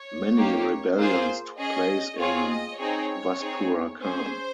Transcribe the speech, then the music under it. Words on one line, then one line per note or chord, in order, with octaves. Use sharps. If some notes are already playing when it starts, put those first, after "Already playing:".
Many rebellions took place in Vaspurakan.
Already playing: C#5
A#3 D#4 G4
A#3 F4 G#4 C5
C#4 G#4 D#5
C4 F4 G#4 C#5
D#5
C4 D#4 G#4 C#5
C4 D#4 G#4
C#4 G#4 C5